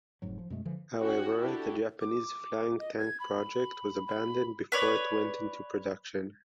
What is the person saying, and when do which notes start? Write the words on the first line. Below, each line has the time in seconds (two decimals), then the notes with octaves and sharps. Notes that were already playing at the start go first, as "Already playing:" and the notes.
However, the Japanese Flying Tank project was abandoned before it went into production.
0.22 F1 G#2 F#3
0.39 F3
0.50 F#2 B2 G#3 A3
0.65 D3 E3 F3
1.00 C#4 F#4 F#5 G5
1.39 D4 E4 F#4 G4 A4
2.01 D6
2.79 D#5
2.99 G#6
3.20 B5
4.07 B5
4.72 B4 C#5 D5